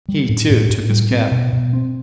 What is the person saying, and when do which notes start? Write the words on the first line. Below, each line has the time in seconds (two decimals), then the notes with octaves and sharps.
He, too, took his cap.
0.09 G3
0.29 A2
0.50 A2
0.69 A2
0.90 G3
1.11 C4
1.31 B2
1.53 B2
1.73 C4